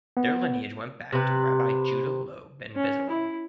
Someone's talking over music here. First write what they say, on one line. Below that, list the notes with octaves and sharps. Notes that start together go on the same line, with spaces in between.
Their lineage went back to Rabbi Judah Loew ben Bezalel.
B3
C3 B4
C#4
E4